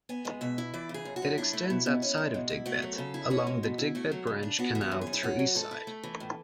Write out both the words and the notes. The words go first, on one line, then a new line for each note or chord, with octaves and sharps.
It extends outside of Digbeth, along the Digbeth Branch Canal through Eastside.
B3 G#5
G#3
B2 E5
E4
E3 D5
C#3
G#4
F#2
F#4
F#2
D4 E4
A3
B2
B2
C#4
G#3
B2
E4
A3 F#4
F#3
C#3 A4
E4
C#4 F#4
G#3
B2
E4
A3 F#4
F#3
C#3
D4
B3 F#4
E3
F#4
F#2
G#4
F#2
E4
C#4 F#4
F#3
G#2 A4
E4
A3
E3
A2